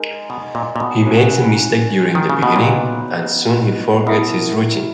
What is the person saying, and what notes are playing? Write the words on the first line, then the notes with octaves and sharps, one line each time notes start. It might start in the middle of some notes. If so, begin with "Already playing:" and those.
He makes a mistake during the beginning, and soon he forgets his routine.
Already playing: G#3 D#4 A#4
B2
A#2
A#2
B2
C#4 F#4 C#5 E5
D#3
C#3
B2
A#2 B3 D#4 F#4 B4
B2 E4 A#4 E5